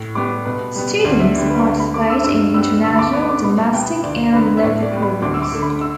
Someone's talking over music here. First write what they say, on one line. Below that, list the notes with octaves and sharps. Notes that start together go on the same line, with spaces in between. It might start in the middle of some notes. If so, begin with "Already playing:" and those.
Students participate in international, domestic, and local programs.
Already playing: A2
G3 B3 D6
B2 B4
G3 B3
D2 D5
E5
D3 G3 B3 D5
B4
D2
B5
D3 A3 D6
E6
G2 E6
G3 B3 E6
D2 E6
B5
D6
D3 B3 D6
D6
B2 B5
B3 G5
D2 D5
D3 B3 B4
E5
A2 D5
D5
G3 B3
B5
D2 D6
E6
D6
D3 A3
B5
E6